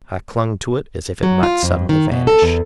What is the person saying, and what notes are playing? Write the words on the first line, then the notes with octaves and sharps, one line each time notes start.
I clung to it as if it might suddenly vanish.
F#3
F4
F2
D#3
B2
A4
E2